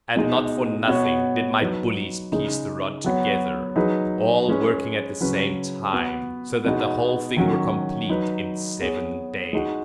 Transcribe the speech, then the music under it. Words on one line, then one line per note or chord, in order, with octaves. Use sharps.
And not for nothing did my bullies piece the rod together, all working at the same time, so that the whole thing were complete in seven days.
B2 G#3 D#4
B2 B3 F#4 C#5
F#3 D#4 B4
C#3 G#3 D#4
F#3 B3 F#4 C#5
F#3 D#4 G#4 B4
G#3 C#4 B4
C#3 F#3 C#4 B4
B3 F#4 B4
B2 G#3 B3 D#4 F#4
D#3 F#3 C#4 F#4
F#3 D#4 B4
B3 G#4 C#5
G#3 D#4 F#4